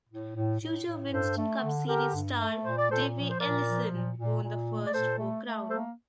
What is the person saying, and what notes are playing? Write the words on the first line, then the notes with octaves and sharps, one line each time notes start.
Future Winston Cup Series star Davey Allison won the first Four Crown.
A2
A2
A2
A2
G2 A4 C5
A3
D3
D3 G4 A#4
G2
A3
A#2 C5
D5
A#2 A4 C5
F3
C5
A#2 A#4 D5
F3
A#2
A#2
A#2
A3
D5
A#2 A4 C5
A3
A3
A#3 A4 C5